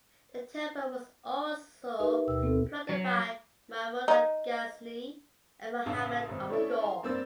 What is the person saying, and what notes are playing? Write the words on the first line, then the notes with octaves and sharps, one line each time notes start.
The temple was also plundered by Mahmud of Ghazni and Muhammad of Ghor.
D#4 G4 A#4 B4 E5 D#6
D2 B2 G5 E6
B3 C4 A4
F#3
D#4
A1 C#3 F5 A5 D#6 E6
G#1 B2
A3 C#4 D4 E4 A4
A#5 C6
G2 A#3 C4 D4 E6 A6